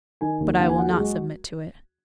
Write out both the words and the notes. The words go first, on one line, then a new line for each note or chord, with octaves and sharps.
But I will not submit to it.
D#3 G#5
D#2
D#2 F#5
G#5
F#3 F#5
G#4
G#3 F#4